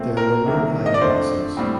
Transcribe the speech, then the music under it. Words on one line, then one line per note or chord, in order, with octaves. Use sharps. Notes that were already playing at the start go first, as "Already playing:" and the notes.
There were no eyewitnesses.
Already playing: A#2 A3 C4
A#4
C2 C3 D#3 A#3
D#5
D5
F2 D3 A3 C5
A2 G3 C4